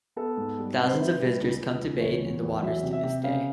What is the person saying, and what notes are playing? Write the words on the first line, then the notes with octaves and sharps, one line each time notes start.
Thousands of visitors come to bathe in the waters to this day.
B3 A4
G#2
G3
C4 B4
C5
E4 B4
G3
C#2
C#2
C#2
E2 C#5
E2
E2
F#3 E5
C3
E5
C3
C#3 F5